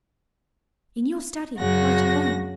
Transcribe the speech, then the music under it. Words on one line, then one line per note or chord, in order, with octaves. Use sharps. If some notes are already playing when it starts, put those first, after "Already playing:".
'In your study, quite alone.
F#2 C#3 F#4 A#6